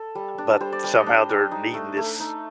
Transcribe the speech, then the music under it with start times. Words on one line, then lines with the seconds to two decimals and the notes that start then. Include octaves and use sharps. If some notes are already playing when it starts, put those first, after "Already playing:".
but somehow they're needing this
Already playing: A4
0.15 G3
0.38 D4
0.60 G3 C5
0.72 D5
0.84 G3 D5
0.95 D#5
1.06 D4
1.29 D4
1.51 D#4 D#5
1.74 A3
1.97 A3
2.20 D#4